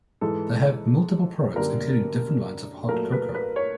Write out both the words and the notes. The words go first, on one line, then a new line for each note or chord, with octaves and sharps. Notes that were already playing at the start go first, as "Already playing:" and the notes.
They have multiple products including different lines of Hot Cocoa.
G#2 E3 G#3 A4
F#2 D3 G3 A#3 A#4
A#2 F#3 A3 A#4
B4
B4
C#5